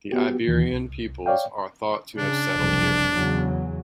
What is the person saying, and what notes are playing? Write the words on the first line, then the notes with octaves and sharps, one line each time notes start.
The Iberian peoples are thought to have settled here.
B3 F#4 G4
D#2 E3
C2
C#5 D5 F5 G5
C#3 D4
F#1 C2 F2
E2 C#3 F#3